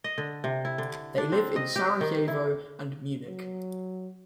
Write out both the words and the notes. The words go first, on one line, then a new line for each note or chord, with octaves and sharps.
They live in Sarajevo and Munich.
D#5
D3
C3
E4
D3
D4
C4
D#5
G4
D#3
E4
F#3